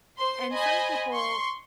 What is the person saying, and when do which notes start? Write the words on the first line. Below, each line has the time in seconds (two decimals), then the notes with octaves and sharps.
And some people
0.18 C5 C6
0.53 C5 D#5 G#5 B5
1.13 C6 C#6